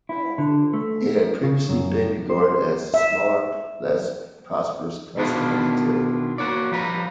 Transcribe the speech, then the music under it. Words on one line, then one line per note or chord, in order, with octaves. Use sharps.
It had previously been regarded as the smaller, less prosperous cousin of the two.
E4
D3
A3
C#3
F#2
C5
E5
B2 D#3 B3 D4 E4 F4
A#3 F#4 C#5 D5
F3 G3 B4 A#5